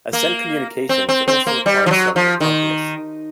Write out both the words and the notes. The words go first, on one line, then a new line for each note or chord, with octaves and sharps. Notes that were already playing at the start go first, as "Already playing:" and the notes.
Ascend Communications also acquired several companies.
A#3
C4
C4
C4
A#3
G3
F3
F#3
F3
D#3